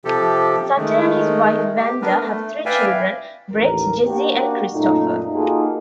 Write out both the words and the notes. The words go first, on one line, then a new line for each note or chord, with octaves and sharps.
Sutter and his wife Wanda have three children, Brett, Jessie and Christopher.
C3 F3 G4 A4
D#3 G#3 A3
G4
B3 D4 A#4 B4
A3
B4 D5 E5 F5 G5 G#5
A1 D#2 A#4
A#3 D4 F#4 G4
F#2 A#2 A3 D#4
A#3 D#4 F4 F#4 G#4 A4